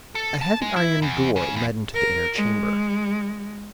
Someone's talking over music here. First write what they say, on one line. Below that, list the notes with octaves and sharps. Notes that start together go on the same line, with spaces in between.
A heavy iron door led into the inner chamber.
A4
A5
G#3
E4
E2
C#3
E2
A#4
G#3